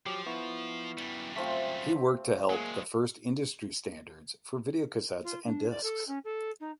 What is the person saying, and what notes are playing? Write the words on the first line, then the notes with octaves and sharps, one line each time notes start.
He worked to help the first industry standards for videocassettes and discs.
F3 F#3 G4 D6
B3 E4 C#6
F#2 G3
A3 C4 F4 B6
F#3 G#3 A#3 G#4
F4
D4
D5
A4
C#4
A4
D#4